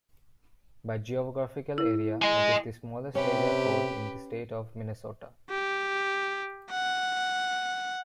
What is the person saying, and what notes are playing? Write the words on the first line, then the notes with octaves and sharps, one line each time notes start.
By geographical area, it is the smallest area code in the state of Minnesota.
E4
D#5 G#5
C3 C#4 G4 B4
G4
F#5